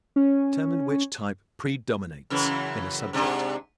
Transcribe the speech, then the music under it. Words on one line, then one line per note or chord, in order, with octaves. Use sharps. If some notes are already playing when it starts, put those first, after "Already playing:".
Determine which type PREDOMINATES in a subject.
C#4
F#2 C#3 E3
G#2 C3 D4